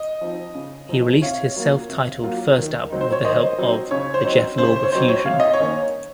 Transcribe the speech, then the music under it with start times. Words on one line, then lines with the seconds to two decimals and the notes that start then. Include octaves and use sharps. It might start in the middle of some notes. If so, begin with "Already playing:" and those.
He released his self-titled first album with the help of The Jeff Lorber Fusion.
Already playing: D#5
0.21 F3 C4 D#4
0.55 C#3
0.89 F3 C4 D#4
1.22 C3 C#5 F5
1.56 F#3 A#3 F4
1.89 C3
2.24 F#3 A#3 F4
2.57 D#3
2.90 F#3 C4 D#4
3.01 C5
3.12 C#5
3.24 D#3 C5 D#5
3.58 F#3 C4 D#4
3.91 C#3 C#5
4.14 C5
4.25 F#3 C4 D#4
4.58 C#3 C5
4.76 C5
4.83 C#5
4.92 F#3 C4 D#4 C5
5.09 C#5
5.26 C3 F5
5.40 D#5
5.54 C#5
5.60 D#3 A#3 C#4